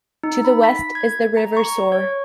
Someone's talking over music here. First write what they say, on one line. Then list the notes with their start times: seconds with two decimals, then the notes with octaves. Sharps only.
To the west is the River Soar.
0.23 D#4
0.45 B5
0.64 B6
0.95 G#6
1.37 A#5
1.57 C#6
1.92 C#5